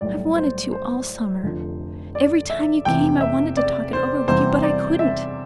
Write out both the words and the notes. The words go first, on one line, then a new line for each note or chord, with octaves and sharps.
I've wanted to all summer--every time you came. I wanted to talk it over with you--but I COULDN'T.
B1 A2 G3 D5
C5
C5
F1 F2 D3 F3
D5
E5
F1 E2 C3 E3 G5
E5
D5
C5
E2 C3 G3 C5
D5
E5